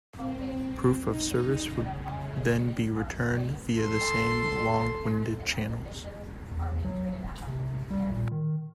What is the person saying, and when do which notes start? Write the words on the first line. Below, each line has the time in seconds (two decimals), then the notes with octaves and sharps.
Proof of service would then be returned via the same long winded channels.
0.15 C4
1.07 D#4
1.65 C#3
3.77 A4 C6
6.52 E2
6.85 F#3
7.25 F1
7.48 C3
7.91 G3
8.11 A#2
8.31 D#3